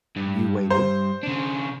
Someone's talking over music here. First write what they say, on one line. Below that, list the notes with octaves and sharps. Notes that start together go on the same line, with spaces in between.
You waited.
G2
C5
C#3 D4